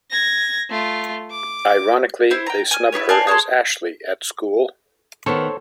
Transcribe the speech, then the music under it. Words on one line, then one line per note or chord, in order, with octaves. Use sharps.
Ironically they snub her, as Ashley, at school.
G#6 A#6
A3 F4
D6
E4 C5
G5 A#5
G#5 F6
E4 G#4 B4 C#5
D5 F5 G#5 A5
G#4 C#5 A5 C6
D#3 B3 A4 C5 C#5